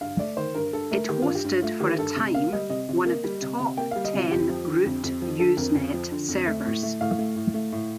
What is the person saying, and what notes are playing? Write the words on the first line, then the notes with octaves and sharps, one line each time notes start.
It hosted, for a time, one of the top ten root Usenet servers.
G2 F5
A3 D5
D#3 C5
G2 A#4
G2 A4
A3 A#4
D#3 G4
G2 F4
G4
G2
A3 F4
D#3 G4
G2 A4
C3
A#3 F5
G3 D#5
C3 D#5
C3
A#3
G3
C3
C3
A#3 G5
G3 F5
D#5
C3 F4
F2 G4
F3
D3
F2
F2
F3
D3 A4
F2 A#4
F2
F3
D3
F2
A3
A2
A3
A2 F5
A3
A2
A3
A2